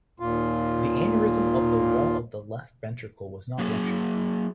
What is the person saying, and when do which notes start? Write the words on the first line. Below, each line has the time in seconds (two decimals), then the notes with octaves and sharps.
The aneurysm of the wall of the left ventricle was not ruptured.
0.20 D#2 A#2 F4
3.58 F#3 A#3 F#4 G#4 C#5